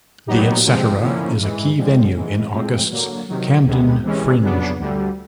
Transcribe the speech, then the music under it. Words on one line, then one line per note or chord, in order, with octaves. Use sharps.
The Etcetera is a key venue in August's Camden Fringe.
A#2 F#3 B3 D#4 G4
C3 F3 G#3 C4
D3 F3 A#3 C#4 E4
G#2 E3 G#3
D3 F3 G#3 C4
G#2 E3 G#3
A2 F3 G#3 C4
D3 F#3 A#3
C3 D#3 F#3
D2 C3 D#3 G#3 B3
C3 E3 G#3 C#4
F2 C#3 F#3 B3 D4
D2 D3 G3